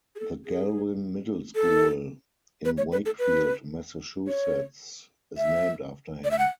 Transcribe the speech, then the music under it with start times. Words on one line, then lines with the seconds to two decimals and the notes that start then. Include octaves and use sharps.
The Galvin Middle School in Wakefield, Massachusetts, is named after him.
0.15 G#4
0.19 A4
0.46 G#4
1.55 A4
2.65 B4
2.77 C#5
2.92 B4
3.06 A4
3.19 B4
4.27 C#5
5.37 E5
6.24 D5
6.31 E5
6.38 F#5